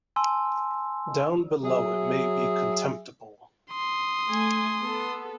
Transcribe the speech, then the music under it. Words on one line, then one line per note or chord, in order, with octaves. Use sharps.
Down below it may be contemptible.
G#5 A5 C6 E6
F#3 G#4 E5
C6 D#6
A3 G#5
B3 A4